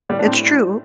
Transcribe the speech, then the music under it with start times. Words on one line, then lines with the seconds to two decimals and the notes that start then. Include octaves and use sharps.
It's true.
0.09 A2 G3
0.19 D4
0.27 A2 C4